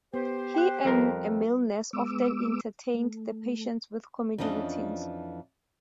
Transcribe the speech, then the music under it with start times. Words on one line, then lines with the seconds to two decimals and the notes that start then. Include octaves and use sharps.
He and a male nurse often entertained the patients with comedy routines.
0.14 B3 G4 C5
0.54 G5 F#6
0.85 F2 G3 F4 A#4
1.93 G#3 B3 D6 E6
2.94 A3
4.38 F2 E3 F3 C#4 D4 D#5